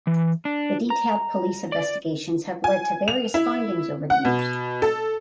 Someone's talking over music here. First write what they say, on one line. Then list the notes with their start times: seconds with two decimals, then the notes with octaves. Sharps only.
The detailed police investigations have led to various findings over the years.
0.07 E3
0.45 D4
0.90 A#5
1.72 D5
2.64 G#5
3.08 F7
3.34 E4
4.10 F#5
4.25 B2
4.82 A4